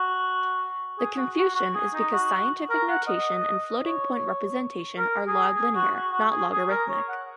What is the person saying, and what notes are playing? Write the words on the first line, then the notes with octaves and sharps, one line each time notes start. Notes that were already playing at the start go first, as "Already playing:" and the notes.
The confusion is because scientific notation and floating-point representation are log-linear, not logarithmic.
Already playing: F#4
G#4
F#4
F#4
F#4
G#4
D#4
F#4
A#4
F#5
D#5
C#5
A#4
G#4
G#4
F#4
F#4
F#4
G#4
G#4
A#4
C#5
F#5